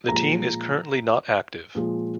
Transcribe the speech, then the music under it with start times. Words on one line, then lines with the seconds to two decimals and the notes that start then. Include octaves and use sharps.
The team is currently not active.
0.08 A#2 F3 G#3 A#5
1.75 A#2 F3 G#3